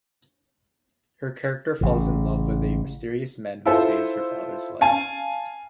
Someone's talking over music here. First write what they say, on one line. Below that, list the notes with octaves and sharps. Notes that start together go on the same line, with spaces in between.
Her character falls in love with a mysterious man who saves her father's life.
A1 C#3
E4 F4 A4 C5
F5 G#5 A5